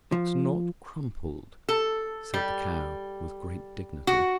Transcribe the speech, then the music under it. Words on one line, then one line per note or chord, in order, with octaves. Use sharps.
"It's not crumpled," said the Cow, with great dignity.
F3
A4
G3
F#4